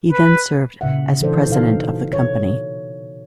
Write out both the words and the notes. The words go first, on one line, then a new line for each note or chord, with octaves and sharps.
He then served as president of the company.
B4
A#2 C#3 E5 F#5
E3 D4 A4 C5 D5
B2 D#4 A4 C5 F5
C#5